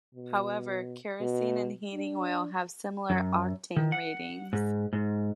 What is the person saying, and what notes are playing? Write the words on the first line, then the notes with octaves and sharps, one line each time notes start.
However, kerosene and heating oil have similar octane ratings.
B2
B2
D4
F#2
D#3
F#5
G#2
G#2